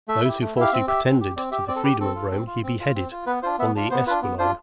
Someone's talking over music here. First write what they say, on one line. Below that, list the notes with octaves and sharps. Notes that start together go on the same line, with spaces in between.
Those who falsely pretended to the freedom of Rome, he beheaded on the Esquiline.
A3 E5
E4 G4
A3
E4 G4 F5
C4 E5
G4 E5
C4
G4
C4 D5
G4 E5
C4 D5
A4
G4 B4
C4 A4
F4
C4
F4
C4
F4
C4
F4
B3 B4
D4 F4 C5
B3 E5
D4 F4
B3 C5
D4 F4 B4
B3
D4 F4 C5